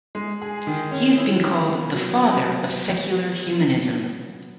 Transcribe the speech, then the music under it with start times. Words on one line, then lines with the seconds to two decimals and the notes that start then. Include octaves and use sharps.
He has been called "the father of secular humanism".
0.15 G#3
0.41 G#4
0.67 D#3
0.91 C#4
1.18 E4
1.43 D#3
1.68 B3
1.94 F#3
2.19 B3